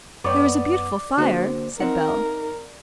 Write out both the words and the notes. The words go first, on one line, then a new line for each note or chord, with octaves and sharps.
"There's a beautiful fire," said Bell.
F#2 B3 C#5 D5 G5
D3 A#3 D4 F#4 G#4 C5
C4 D#4 A#4 F#5